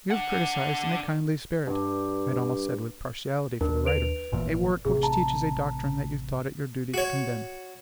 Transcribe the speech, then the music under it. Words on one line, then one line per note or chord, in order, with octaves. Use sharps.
You have criticised in a kindly spirit--I had almost said with partiality for the writer--a work which teaches a doctrine that you thought it your duty to condemn.
D4 F#5
G2
D#2 D4 A#4
B4 D7 F7
G#1 A#2 E3
A1 C3 G#4
A5 A#5
F#4 C#5